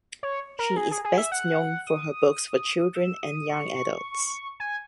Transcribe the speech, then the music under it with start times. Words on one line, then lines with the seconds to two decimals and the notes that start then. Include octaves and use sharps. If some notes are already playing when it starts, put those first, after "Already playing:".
She is best known for her books for children and young adults.
0.23 C#5
0.59 A#4
0.76 G#4
0.91 G#4
1.04 G#4
1.18 E5
1.32 F#5
1.87 D#6
2.95 E6
3.23 D#6
3.49 C#6
4.60 G#5